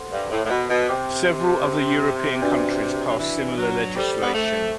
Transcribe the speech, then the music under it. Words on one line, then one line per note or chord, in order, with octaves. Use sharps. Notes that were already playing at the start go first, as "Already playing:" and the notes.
Several other European countries passed similar legislation.
Already playing: A4 C5 F#5 C6
G2
A2
A2
B2
B2
C3 C5 G5 D6
D4 F#4 B4 D5
F#3
E3
F#3
G3 A4 C5 G5 D6
B3
A3